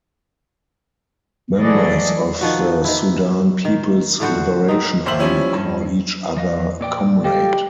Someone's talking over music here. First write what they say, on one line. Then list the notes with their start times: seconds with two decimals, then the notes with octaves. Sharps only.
Members of the Sudan People's Liberation Army call each other 'Comrade'.
1.58 E3 F#3 G#4 A4 D5 D#5
2.41 D#3 F3 F#4
2.84 D#3 E4
3.65 D#3
4.20 A2 D3 F#4 C5
4.68 C4 D#4
5.06 A#1 D#2 C5 E5 F#7
5.19 F3 G3 C#4 E4
5.54 G2
6.37 F3 D#5 F5
6.81 A#2 D5 G5
7.24 G4 A4 D#5 F5